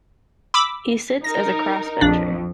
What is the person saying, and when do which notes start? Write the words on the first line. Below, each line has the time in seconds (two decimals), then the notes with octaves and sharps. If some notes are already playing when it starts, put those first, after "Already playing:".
He sits as a Crossbencher.
0.54 B5 D6 E6
1.24 D#4 A#4 A#6
2.01 A#1 F2 D4